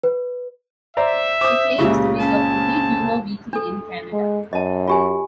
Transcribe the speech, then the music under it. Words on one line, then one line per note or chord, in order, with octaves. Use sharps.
It claims to be the only humour weekly in Canada.
B4
C5 D5 E5 A#5
C5 D6 D#6
C#2 A#2 C#3 G4
C4 C#4 G#5 A5
D4 A4
G#3
F#2 D#5 A5
F4 G4 G#5